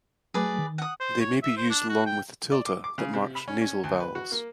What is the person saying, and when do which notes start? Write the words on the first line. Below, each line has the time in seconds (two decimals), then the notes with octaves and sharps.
They may be used along with the tilde that marks nasal vowels.
0.34 F#3 A3 G#4 B4 D5
0.58 D#3
0.78 F#5 D#6
1.00 C5
1.20 C#5
1.43 E5
1.57 C5
1.70 D4
1.89 F#4
2.06 G5
2.52 D5
2.66 D6
2.84 D6
2.98 C#3
3.13 C3
3.35 B5
3.48 C#4
3.61 C#4
3.84 D2
4.00 B4
4.15 F#4
4.32 A#3